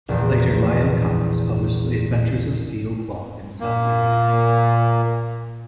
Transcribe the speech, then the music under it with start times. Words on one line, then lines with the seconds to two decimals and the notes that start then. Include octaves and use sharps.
Later "Lion Comics", published the adventures of Steel Claw in South India.
0.09 A#1 E2
3.60 A#2 A#3